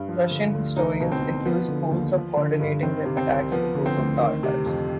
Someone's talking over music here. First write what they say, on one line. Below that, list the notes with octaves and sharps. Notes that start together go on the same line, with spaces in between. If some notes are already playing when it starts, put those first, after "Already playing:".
Russian historians accuse Poles of coordinating their attacks with those of Tatars.
Already playing: G2
F3
D3
D2
C2 D#4
B2
C4
B2
F3 B3
D3
D#2
F3
D3
G2
D#3 C4
C3
C4
C2
F3 B3
D3
C4
D2
D#3
C3
F2